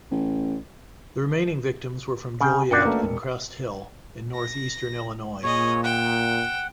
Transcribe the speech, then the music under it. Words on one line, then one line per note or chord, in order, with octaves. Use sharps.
The remaining victims were from Joliet and Crest Hill, in North Eastern Illinois.
A1
C#3 G5
F#1 D4 F#4 G5 C#7
A3 A#3 B4
E1
A#6
A#2 G#4 C#5 D#5
F#5 G5 E7